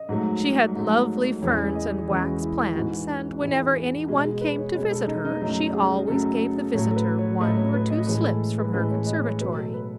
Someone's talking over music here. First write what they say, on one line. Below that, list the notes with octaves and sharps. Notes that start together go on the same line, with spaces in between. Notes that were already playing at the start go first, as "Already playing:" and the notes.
She had lovely ferns and wax-plants and, whenever anyone came to visit her, she always gave the visitor one or two slips from her conservatory.
Already playing: D#5
G#2 F#3 A3
G#2 F#3 A3
E2 C#3 E3 G#3 C#5
D#5
E2 C#3 E3 G#3 C#5
F#4
E4
E4
G#2 E3 G#3 F#4
G#2 E3 G#3
B2 G#3 F#4
G#4
B4
C#5
B2 G#3 C#5
A4
D#4
D#4
F#2 C#3 F#3 A3 D#4
G#4
F#2 C#3 F#3 A3 A4
A2 F#3 A3 C#5
A4
B4
C#5
A2 F#3 A3 D#5
C#5
B4
D#5
A2 E3 G#3 C#5
A4
B4
A2 E3 G#3 B4
C#5
D#5
C#5
B2 F#3 A3 B4
A4
B4